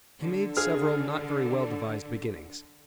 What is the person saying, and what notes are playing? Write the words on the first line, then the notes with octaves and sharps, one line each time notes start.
He made several not very well-devised beginnings.
D3
G#4 F6